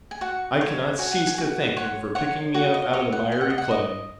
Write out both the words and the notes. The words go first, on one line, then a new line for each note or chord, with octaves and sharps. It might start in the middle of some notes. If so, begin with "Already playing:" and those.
I cannot cease to thank Him for picking me up out of the miry clay.
G#5
F#4 F#5
C#5
F#4 G#5
F#5
G#5
F#4
C#5 F#5
C#5 F#5
F#4 F#5
D#5
C#5 D#5
F#5
D#5 G#5
F#5
D#5
F#5
D#5